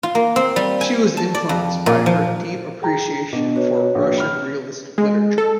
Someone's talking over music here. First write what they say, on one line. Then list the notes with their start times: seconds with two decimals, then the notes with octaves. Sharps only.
She was influenced by her deep appreciation for Russian realist literature.
0.03 F4
0.15 A#3
0.36 C4
0.56 G3
0.81 G#5
1.17 A5
1.35 D5
1.49 F2
1.86 A#2
2.06 F3
2.82 G#4 G5 A#5
3.33 B2 D4
3.56 F#4 B4 C#5
3.95 A#1
4.18 B5 F6
4.98 G#3
5.38 A4